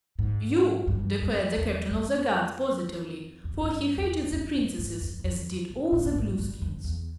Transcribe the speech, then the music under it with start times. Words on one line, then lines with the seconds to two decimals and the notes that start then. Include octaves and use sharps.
"You!" declared the Captain of the Guards, positively, for he hated the Princesses, as did all the Blueskins.
0.19 G#2
0.87 G2
1.22 F2
1.57 E2
1.91 F2
3.44 E2
3.54 F2
3.63 G2
3.97 E2
4.23 E2
4.32 F2
4.56 G#2
4.79 G#2
5.01 F2
5.19 E2
5.24 F2
5.70 G#2
5.92 A#2
6.05 G2
6.15 G#2
6.39 G2
6.62 F2
6.84 E2